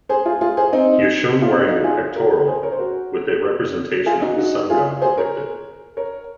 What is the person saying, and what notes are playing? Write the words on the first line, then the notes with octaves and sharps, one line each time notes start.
He is shown wearing a pectoral with a representation of the sun god depicted.
G#4 C5
F4 G#4
F4 G#4
G#4 C5
C4 D#4
F4
C4 D#4
D#4 F#4
F4 G#4
F#4 A#4
G#4 C5
A#4 C#5
C5
F#4 A#4
F4 G#4
D#4 F#4
D#4 F#4
F4 G#4
G#4 C5
A#4 C#5
A#4 C#5